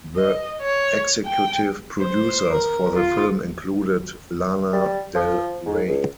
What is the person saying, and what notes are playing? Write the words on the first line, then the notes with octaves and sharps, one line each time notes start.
The executive producers for the film included Lana Del Rey.
D#5
C#5
G5
C5
A#4
F4
G3
F3
G#2
C#2